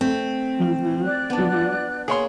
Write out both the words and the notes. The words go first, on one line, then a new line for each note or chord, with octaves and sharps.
Mhm. Mhm.
A3 C4
D5 F#6
B3 D4
A#3 G#4 C#5 C6